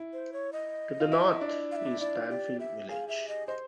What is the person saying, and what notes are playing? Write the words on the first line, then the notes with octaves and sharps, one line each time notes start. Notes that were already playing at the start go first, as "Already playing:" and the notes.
To the north is Tanfield village.
Already playing: E4
C5
C#5
D#5
F4
E4
D4
F5
E5
D4
E4 D5
F4
G4 D5
E5
G#4 F5
E5
D#5
C5 D#5